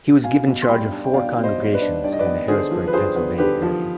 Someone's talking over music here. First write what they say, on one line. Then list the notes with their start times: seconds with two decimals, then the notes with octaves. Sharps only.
He was given charge of four congregations in the Harrisburg, Pennsylvania area.
0.23 B2 F5 G#5
0.47 B2
0.62 C6
0.68 G3 G5 B5
0.91 D4
1.05 G5
1.14 B2 D5 F5
1.37 B2
1.44 C5 D#5
1.58 G3
1.63 D#5
1.73 B4 D5
1.82 D4
2.04 G2 D5
2.12 D#5
2.19 B4 D5
2.26 B3
2.48 D3 G#4 C5
2.71 F3
2.88 B4
2.93 G2 G#4 C5
3.16 B3
3.38 D3 G4 B4
3.62 F3